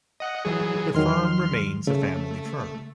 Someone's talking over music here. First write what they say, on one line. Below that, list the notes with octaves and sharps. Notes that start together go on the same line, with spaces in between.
The firm remains a family firm.
D#5 F#5
E3 F#3 G#4
E2 D#3 F#3 C6 F6
C#3 A3